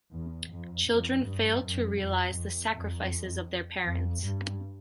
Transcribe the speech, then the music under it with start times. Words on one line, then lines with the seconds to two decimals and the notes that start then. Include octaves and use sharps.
Children fail to realize the sacrifices of their parents.
0.12 E2
0.49 F2
0.87 F2
1.24 G2
1.60 F#2
1.98 F2
2.35 F2
2.72 F2
3.84 F2
4.21 G2